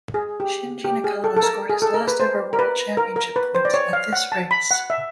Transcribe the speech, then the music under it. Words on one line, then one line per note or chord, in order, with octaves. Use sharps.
Shinji Nakano scored his last ever world championship points at this race.
G#4
G4
G4
G#4
A4
A4
A#4
G#4
A4
A#4
B4
C5
A#4
B4
A#4
A#4
B4
C5
D5
C#5
F5
F#5
A5
B5
F#5
E5